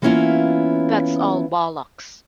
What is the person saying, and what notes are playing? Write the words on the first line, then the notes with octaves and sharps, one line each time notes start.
That's all bollocks.
E3 A#3 B3 C#4 E4 F4